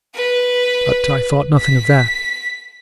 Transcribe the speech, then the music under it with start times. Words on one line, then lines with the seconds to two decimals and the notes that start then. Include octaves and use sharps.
But I thought nothing of that.
0.14 B4
1.59 B6